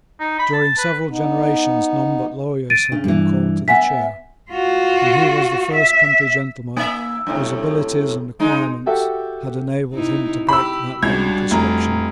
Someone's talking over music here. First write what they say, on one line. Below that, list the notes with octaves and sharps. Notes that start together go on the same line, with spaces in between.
During several generations none but lawyers had been called to the chair; and he was the first country gentleman whose abilities and acquirements had enabled him to break that long prescription.
D#4
B5
A5
B4
B3 D#4
A6 D7 D#7
C#3 D4
G2 E3
B3 E5 F#5 G#5 B6
F4 F#4
E5
A#3 E5
F#2 A2 C3
G#3 D#4
F#4 G4 A4 E5 F#5 G5
C3 D#4 E4
G4 B5 E6
C#2 G3 D4 F#4 G#6
F1 A#5